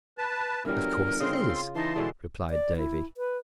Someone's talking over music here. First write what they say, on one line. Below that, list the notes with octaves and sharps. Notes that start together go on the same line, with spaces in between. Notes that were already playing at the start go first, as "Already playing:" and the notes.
"Of course it is," replied Davy.
B4 A5
G1 E3 F#3 G3 A#4
C#3 C4 D#5 C6
F4
E3 D#4 A5 C6
B2 D3 G#3 E4
D5
E4
B4